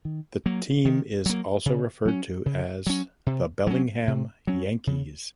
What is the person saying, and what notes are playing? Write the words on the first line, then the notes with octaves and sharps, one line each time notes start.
The team is also referred to as the "Bellingham Yankees".
D#3
F#3 A#3
D#3
F#3 A#3
C#3
F#3 C#4
C#3
F#3 C#4
C3
F#3 C#4
C3
F#3 C#4
C#3